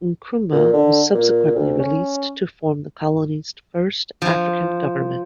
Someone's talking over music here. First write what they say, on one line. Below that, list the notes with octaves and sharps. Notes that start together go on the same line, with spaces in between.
Nkrumah was subsequently released to form the colony's first African government.
A#2
D3
A#2
D2
C#4
F3